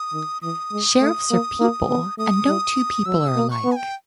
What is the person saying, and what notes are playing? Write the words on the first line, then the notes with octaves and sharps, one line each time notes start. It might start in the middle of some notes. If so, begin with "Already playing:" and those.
Sheriffs are people and no two people are alike.
Already playing: D#6
D#3
E3 D#6
G#3
A3
A#3
A#3
B3
A3 D#6
G3
F#3 E6
D#6
A#3
C#6
B3
G#5
G5